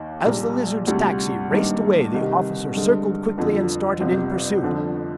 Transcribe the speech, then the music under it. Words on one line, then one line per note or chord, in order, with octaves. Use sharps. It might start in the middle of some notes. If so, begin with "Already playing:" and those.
As the Lizard's taxi raced away the officer circled quickly and started in pursuit.
Already playing: D#2 D#3 A#3
A#1 A#2 G3 A#3
D2 C3 G3
G#1 G2 D#3 A#3 D4
C2 C3 D#3 G3
G2 D3 G#3
G1 F2 D3 F3
G1 F2 C3
F2 D3 F3